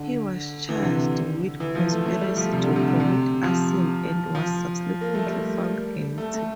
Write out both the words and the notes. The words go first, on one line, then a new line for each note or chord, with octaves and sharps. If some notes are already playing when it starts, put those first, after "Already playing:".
He was charged with conspiracy to commit arson and was subsequently found guilty.
Already playing: D3
E3
D3
C3
D3
E3
F3
A3
A3
G3
F3
C3
D3
C3
D3
C3
F3
F3
A#3
A3
G3
A3
A3